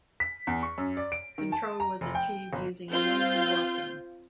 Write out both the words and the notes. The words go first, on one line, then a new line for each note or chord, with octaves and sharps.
Control was achieved using wing-warping.
B6
E2
C#6
F#2
D5
D7
D#3
A5
A#5
F1
G5
G1
C4 F4 G6